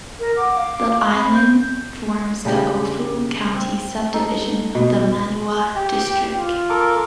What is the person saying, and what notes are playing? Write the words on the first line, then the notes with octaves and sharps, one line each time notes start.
The island forms the Ofu County subdivision of the Manua District.
A#4
F#5 D6
F5
C4 B5
G6
C#3 G3 D4 G4
C4
D#4 A4
B2
G4 G5
F4
A4 A#4 D6